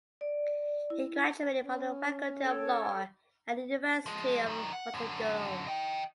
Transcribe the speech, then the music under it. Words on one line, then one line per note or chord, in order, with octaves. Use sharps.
He graduated from the Faculty of Law at the University of Montenegro.
D5
E4
C#4
A4 C#5 G5
F3 G#3
F#2 D#3
F#5
F#2 D3
D#5 G5